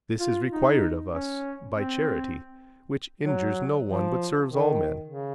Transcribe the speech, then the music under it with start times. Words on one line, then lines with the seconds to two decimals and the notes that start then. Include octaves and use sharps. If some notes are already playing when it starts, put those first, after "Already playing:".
This is required of us by charity, which injures no one, but serves all men.
0.20 F4
0.50 D#4
1.11 C#4
1.73 C4
3.25 F#3
3.86 F3
4.48 D#3
5.08 C#3